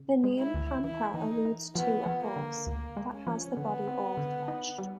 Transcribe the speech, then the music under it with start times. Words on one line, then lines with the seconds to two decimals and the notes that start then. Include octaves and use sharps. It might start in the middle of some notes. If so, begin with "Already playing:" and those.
The name Pampa alludes to a horse, that has the body all threshed.
Already playing: C#3
0.24 G#3
0.39 E4
0.54 D2
0.84 E3 E4
1.14 E3 D#4
1.45 E3
1.75 F3 B3
2.06 F3
2.21 A#3
2.36 D3
2.66 D2 A#3
2.97 G#3
3.12 C#4
3.27 F3
3.57 D3 B3
3.87 C4
4.17 D3
4.48 D#4
4.78 G3